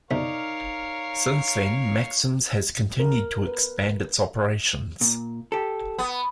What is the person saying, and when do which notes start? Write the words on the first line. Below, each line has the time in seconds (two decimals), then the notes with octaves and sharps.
Since then, Maxim's has continued to expand its operations.
0.11 B1 C3 D#4 A#4 C#5 D5 E5 F5
2.99 A#4
3.47 B4
5.01 A#2
5.52 G4 A4
5.98 B3